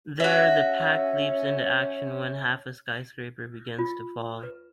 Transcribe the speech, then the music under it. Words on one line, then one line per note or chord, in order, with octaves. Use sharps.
There, the Pact leaps into action when half a skyscraper begins to fall.
C#4 F#4 E5
F4
B4